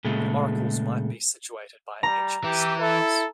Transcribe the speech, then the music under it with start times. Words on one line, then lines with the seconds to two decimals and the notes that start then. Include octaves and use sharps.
Oracles might be situated by ancient springs.
0.05 A#2 C#3 G#3 A3
2.03 G3 A#5
2.44 E3 G4
2.81 E4 A4